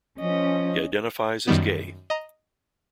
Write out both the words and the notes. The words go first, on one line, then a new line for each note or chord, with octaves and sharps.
He identifies as gay.
F3 C#4 D#5
F#2 D#3 G3 B3
D#5 A#5